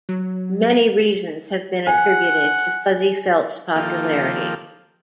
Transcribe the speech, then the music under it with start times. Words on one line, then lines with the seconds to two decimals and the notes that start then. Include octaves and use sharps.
Many reasons have been attributed to Fuzzy-Felt's popularity.
0.09 F#3
1.87 F#5 G#5
3.75 D#3 F3 A#3 F4 G4 A4